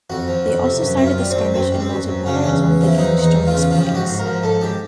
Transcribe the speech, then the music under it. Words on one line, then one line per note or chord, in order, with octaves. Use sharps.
They also cited the skirmish and multiplayer as one of the game's strongest points.
F2 F#4
F3
F2
C3
F#2
F#2 E4
F4
G3
C4
F#2
F#2 C4
G3
C4
F#2
F#2
C#3 C#4
D4
E2 C#4
E2
F3
E4
E2 D#4
E2
D#4
E2
F4
C#3
F3 F4
G4
G#2
F#4
G#2
A#4
F3
G#2 A4
G#2 G4